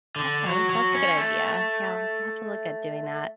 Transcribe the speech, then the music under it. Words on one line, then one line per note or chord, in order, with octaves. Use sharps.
Okay, that's a good idea. Yeah, I'll t have to have to look at doing that.
D3
F#3
F#3
C#4
A3